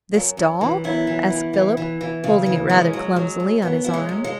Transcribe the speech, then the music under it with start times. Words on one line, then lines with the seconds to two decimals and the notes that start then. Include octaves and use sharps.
"This doll?" asked Philip, holding it rather clumsily on his arm.
0.14 F#2
0.37 F#2
0.61 E3
0.84 F#2 B3 E4
1.07 E3
1.30 E3
1.53 E3
1.77 E3
2.01 E3
2.24 C#3
2.46 E3
2.69 F#2 G#3 C#4
2.93 F#3
3.16 F#3
3.40 F#2
3.62 F#2 B3
3.84 F#2 E4
3.93 G#3 C#4
4.09 F#2
4.24 G#3